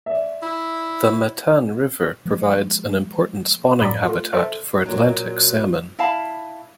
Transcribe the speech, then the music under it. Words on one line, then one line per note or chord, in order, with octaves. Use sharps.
The Matane River provides an important spawning habitat for Atlantic salmon.
D5 E5
E4
F3 G#3 A#3
A2 D5 A#5 B5
A3 F4
A4 C5 E5
A#2 F#3
E4 F5 A5 B5